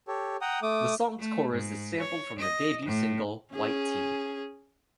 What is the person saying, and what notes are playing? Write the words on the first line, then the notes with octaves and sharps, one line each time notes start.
The song's chorus is sampled from their debut single "White Tee".
G4 A4 C#5
F#5 G5 A#5 D#6
A3 D6 D#6
A3
G#2
C#5
D#5
A2
C#4 G#4